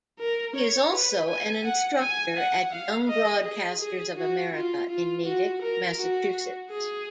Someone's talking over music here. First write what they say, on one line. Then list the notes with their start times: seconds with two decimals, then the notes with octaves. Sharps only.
He is also an instructor at Young Broadcasters of America in Natick, Massachusetts.
0.20 A#4
0.56 C#5
0.92 B4
1.28 G#5
1.64 F#5
2.00 G#5
2.36 F#5
2.72 F5
3.08 D#5
3.45 G#4
3.81 G#4
4.17 F#4
4.53 F4
4.90 F4
5.26 F#4
5.62 A#4
5.98 F#4
6.70 G#4